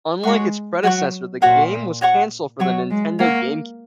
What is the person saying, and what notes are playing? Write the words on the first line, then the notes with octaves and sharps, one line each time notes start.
Unlike its predecessor, the game was cancelled for the Nintendo GameCube.
G#3 F#4 C#5 F#5 C#6
F#3 F#4 C#5 F#5 C#6
A#2 F#4 C#5 F#5 C#6
F#4 C#5 F#5 C#6
F#3 C#5 F#5 C#6
G#3
A#3 C#5 F#5 C#6